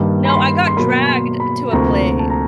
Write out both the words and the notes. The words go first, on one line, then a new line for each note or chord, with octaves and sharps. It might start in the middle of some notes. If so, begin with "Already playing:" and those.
No, I got dragged to a play.
Already playing: G2 D#3 G3 A#3
B5
C6
C6
B2 F#3 A#3 B5
C6
B5
D2 C3 F3 A#3 A#5
A5
A#5